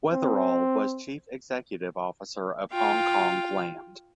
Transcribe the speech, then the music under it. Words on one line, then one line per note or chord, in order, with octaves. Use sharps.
Weatherall was chief executive officer of Hongkong Land.
C4
F4 F5 G5